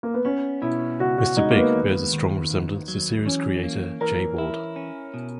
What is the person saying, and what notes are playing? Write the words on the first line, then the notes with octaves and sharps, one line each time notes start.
Mr. Big bears a strong resemblance to series creator Jay Ward.
A#3
B3
B3 C#4
B2 E4
C#2 F#4
F#4
G#3 D#4
A#3
B3
D#2
D#3
D#2
F#3
E3 C#4
A#3
E3 A#4
E4
C#4
B2